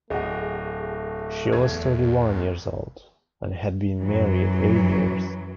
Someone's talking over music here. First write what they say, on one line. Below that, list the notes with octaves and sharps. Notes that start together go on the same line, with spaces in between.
She was thirty-one years old, and had been married eight years.
D1 A3 G#4 D#5 F#5
E2 G#6
F#2 E3 F#3